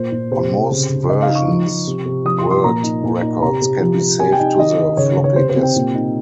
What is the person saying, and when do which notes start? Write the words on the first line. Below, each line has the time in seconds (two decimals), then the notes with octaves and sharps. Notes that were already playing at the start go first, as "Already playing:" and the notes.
On most versions, world records can be saved to the floppy disk.
Already playing: A#2 C5
0.12 A#2
0.31 C3 C5
0.50 C3
0.70 C#3
0.90 C#3
1.09 C#3 D#5
1.22 F5
1.29 D#4
1.35 C#6
1.48 F3
1.67 F3
1.87 C3
2.06 C3
2.25 F3 D#6
2.38 C6
2.45 F3
2.51 C6
2.64 A#2 A#5
2.84 D#4
3.04 A#2
3.22 D#4
3.42 C3 A#5
3.62 C3
3.81 F3
4.00 F3
4.20 C3 G#5
4.32 G5
4.39 D#4
4.58 D#3 D#5
4.78 D#3
4.97 C#3 C#5
5.17 C#3
5.24 C#5
5.36 C3 C5
5.49 C5
5.56 C4
5.63 G5
5.76 A#2
5.95 D#4